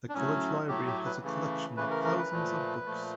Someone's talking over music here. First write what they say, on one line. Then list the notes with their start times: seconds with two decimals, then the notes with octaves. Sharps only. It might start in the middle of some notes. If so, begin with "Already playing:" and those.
The college library has a collection of thousands of books.
0.09 D4
0.14 A2 F#3 A3 C#4
0.68 A2 F#3 A3 G4
0.87 G4
1.05 B4
1.23 C#3 E3 A3
1.77 C#3 E3 A3 B4
1.91 A#4
2.04 A#4
2.18 B4
2.32 A#2 F3 A3
2.86 A#2 F3 A3